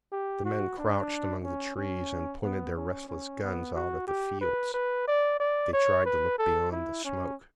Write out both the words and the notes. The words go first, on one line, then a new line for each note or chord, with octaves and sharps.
The men crouched among the trees and pointed their restless guns out at the fields. They tried to look beyond the smoke.
G4
F#4
D4
C#4
C#4
B3
C#4
C#4
B3
F#4
G4
B4
B4
D5
D5
C#5
B4
A4
E4
C#4